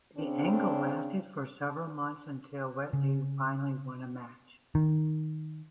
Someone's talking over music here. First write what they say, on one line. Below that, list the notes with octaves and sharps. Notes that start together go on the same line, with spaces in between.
The angle lasted for several months until Whatley finally won a match.
C#3 C4 D4
C#3
D#3